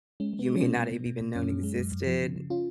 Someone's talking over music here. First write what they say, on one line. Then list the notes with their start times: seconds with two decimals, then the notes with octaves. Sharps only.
you may not have even known existed
0.20 G#3 C#4
0.33 G#3
0.39 B3
0.48 G#3
0.57 C#4
0.63 B2
0.77 B2 B3
0.91 B2
1.06 B2
1.21 B2
1.35 F#2 C#4
1.49 F#2
1.63 G#3
1.79 F#2
1.92 F#2
2.07 F3
2.21 C#3
2.36 C#3
2.50 C#4 F4